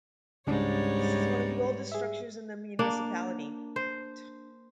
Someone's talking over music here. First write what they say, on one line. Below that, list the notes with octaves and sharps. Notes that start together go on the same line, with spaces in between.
This is one of the oldest structures in the municipality.
C#2 G#2 G3 C#4 D4 C#5
G#4 E5
A#3 D4
C5